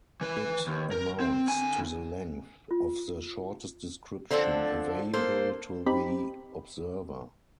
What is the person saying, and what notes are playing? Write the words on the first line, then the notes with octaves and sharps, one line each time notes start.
It amounts to the length of the shortest description "available to the observer".
E3 B4
D#2
A#4
C4
D3 G#5
F4
D3 F3 C4 D4 A4
A#3 A4 C5
C4 D#4 G4 B5